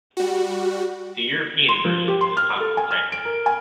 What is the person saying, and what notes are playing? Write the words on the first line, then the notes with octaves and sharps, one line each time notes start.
The European version is copy protected.
G3 F#4
C6
F3
G4
C6
F6
A4
G#5
F6
D7
A#4
G#5